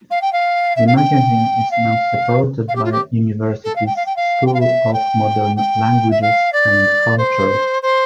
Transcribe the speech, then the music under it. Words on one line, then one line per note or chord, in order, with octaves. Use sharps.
The magazine is now supported by the University's School of Modern Languages and Culture.
F5
G5
F5
E5
F5
G5
F5
F5
G4
F4
G4
A4
F5
G5
F5
G5
F5
G5
F5
E5
G5
G5
E5
F5
D5
C5
C5